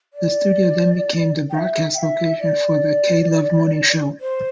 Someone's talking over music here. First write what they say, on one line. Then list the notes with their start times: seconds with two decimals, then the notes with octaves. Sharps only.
The studio then became the broadcast location for the "K-Love Morning Show".
0.14 D5
1.50 G5
1.55 E5
1.94 G5
1.98 E5
2.39 D5
4.21 C5